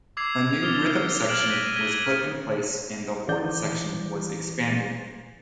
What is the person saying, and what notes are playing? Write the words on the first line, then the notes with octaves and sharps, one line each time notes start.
A new rhythm section was put in place, and the horn section was expanded.
D6 E6 G#6 C7 F7
G#6 F7
D6 D#6 F6 A6 F7 G7
F6 D7 E7 F#7
F#6 A#6 B6 D#7
G#6 B6 D#7 G7
A1 E3 D5 G6